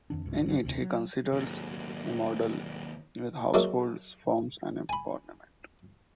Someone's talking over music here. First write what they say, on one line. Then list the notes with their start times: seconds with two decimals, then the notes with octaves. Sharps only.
In it he considers a model with households, firms and a government.
0.10 F2 D#3 D4
0.25 C#2 G#2
0.46 G1 D3 F#3 G3
0.63 F1 D2 C3
0.81 F#3
1.32 D#2 F#3
3.54 F#3 G#3 A#3 D4 E5
4.89 G#5 B5